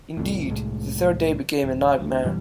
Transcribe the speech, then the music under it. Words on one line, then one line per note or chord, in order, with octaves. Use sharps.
Indeed, the third day became a nightmare.
C2 F2 A2
C2 A2 G#3
D#1
D2
F#2 B2 E3 G3